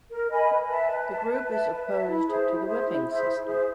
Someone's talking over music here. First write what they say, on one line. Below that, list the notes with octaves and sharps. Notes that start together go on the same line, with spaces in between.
The group is opposed to the whipping system.
A#4
D#5 G#5 B5
B4
E5 A5
B4
E5 A5
B4
E5 A5
B4
E5 A5
E4
G#4 C5 E5
E4
G#4 C5 E5
E4
G#4 C5 E5
E4
G#4 C5 E5